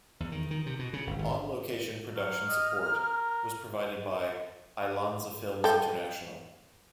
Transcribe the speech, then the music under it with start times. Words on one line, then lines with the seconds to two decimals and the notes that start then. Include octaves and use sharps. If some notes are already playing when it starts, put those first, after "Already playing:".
On location production support was provided by Alianza Films International.
0.20 E2
0.32 D#3
0.51 D#3
0.66 C3
0.79 B2
0.93 C#3
1.07 G1
1.19 G#1
2.16 F#3 F6
2.48 D#5
2.90 A#4
5.64 A4 G5